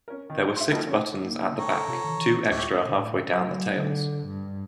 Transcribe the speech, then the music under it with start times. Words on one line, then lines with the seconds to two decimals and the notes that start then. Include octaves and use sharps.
There were six buttons at the back, two extra halfway down the tails.
0.08 C#4 A#4
0.30 D#3
0.44 F#3
0.56 E5 C6
0.70 F3 G3 A#3 D#4 F#4 A4
0.87 C#4 G4
1.24 A#3 D#4
1.58 A4 C#5 G5 A#5 C#6
1.88 C3 F4
2.04 D#3 E3
2.50 D2 A2 G#3 E4 G4 C#5
2.92 A2
3.26 F#3
3.74 D3
4.27 G2